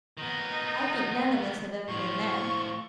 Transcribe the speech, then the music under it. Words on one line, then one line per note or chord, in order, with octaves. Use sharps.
I think none of us have ever been there.'
D#3 B3 D#4
A2 F3 C#6